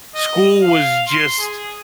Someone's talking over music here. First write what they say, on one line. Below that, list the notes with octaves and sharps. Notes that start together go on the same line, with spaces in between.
School was just
D#5
F5
C6
G#4